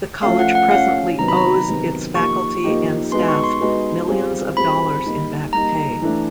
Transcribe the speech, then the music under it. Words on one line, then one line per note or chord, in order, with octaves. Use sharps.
The College presently owes its faculty and staff millions of dollars in back pay.
F3 A3 C#4 F5
F#5
F#5
F3 A3 C#4 F5
C3 D#3 F#3 B3 D#4 A#5
B5
A#5
C3 D#3 F#3 B3 D#4
F3 A#3 D#4 G4 C#6
F3 A#3 D#4 G4
G#3 B3 D#4 F#4 C6
C#6
C6
G#3 B3 D#4 F#4
G3 C4 F4 G#4
G3 C4 F4 G#4 B5
G3 A#3 D#4
G3 A#3 D#4 A#5
E3 A3 D4